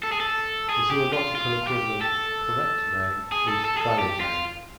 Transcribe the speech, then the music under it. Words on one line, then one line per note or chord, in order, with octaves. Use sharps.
The zoological equivalent of "correct name" is "valid name".
A4
G#4
A4
G#4
G4
F4
F4
G4
A4
G#4
A4
A4
G#4
A4
G4
F4